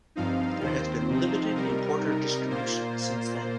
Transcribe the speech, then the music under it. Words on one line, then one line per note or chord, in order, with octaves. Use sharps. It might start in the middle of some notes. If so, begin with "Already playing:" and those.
There has been limited importer-distribution since then.
G2 F3 C4 D#4 F5
D#2 D#3 C4 C5
C3 F3 C4 D#4
C3 G3 D#4 A#4
C3 G3 D#4
A#2 A#3 F4 C5